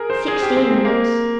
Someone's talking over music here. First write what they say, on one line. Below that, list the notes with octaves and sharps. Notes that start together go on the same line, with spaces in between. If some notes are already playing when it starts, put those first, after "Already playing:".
Sixteen minutes.
Already playing: G#4 A#4
C5
G#4
G4
C4
C4
A#3